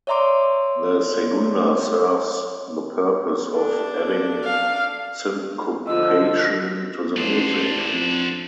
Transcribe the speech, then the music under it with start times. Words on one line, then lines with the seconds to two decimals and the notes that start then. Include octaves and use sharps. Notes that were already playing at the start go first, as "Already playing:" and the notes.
The Segunda serves the purpose of adding syncopation to the music.
0.07 C#5 D5 E5 A#5 C6 D6
3.55 D4 A4
4.45 F5
5.87 D3 F3 F4 D#5 E6
7.17 A1 D4 C5
7.93 F2